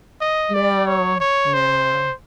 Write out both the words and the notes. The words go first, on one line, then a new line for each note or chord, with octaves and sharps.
No, no.
D#5
D5
C#5
C#5
C5